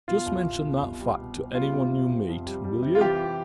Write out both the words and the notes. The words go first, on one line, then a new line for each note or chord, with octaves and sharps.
Just mention that fact to any one you meet, will you?
B2 F4
C2
B2
B2
C2
G3
B2
B2
G3 F4
C3
C3
C3
F2
G3
G3
C3
F4
E3 G4